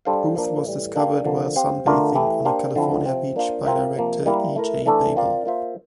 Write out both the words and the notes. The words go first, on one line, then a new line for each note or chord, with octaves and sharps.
Booth was discovered while sunbathing on a California beach by director E. J. Babille.
G3 D4 A4 C5 F5
F3 A#3 D4
A2 E3 G3
A#3 D4 G4 D5 F5
D3 F3 A#3
C4 G4 C5 F5
D3 A3 D4 F4 A#4
E3 A3 E4 G4
A#3 D4 G4 C5 F5
D3 F3 C4 E4
C3 F3 C4
A#3 D4 F4 C5 F5
C4 F4 A#4 E5
C3 F3 A#3
G3 A#3 E4 A#4
A3 E4 A#4
E3 A3 D4 A4
C4 F4 A#4 D5 F5
A#3 F4 C5 E5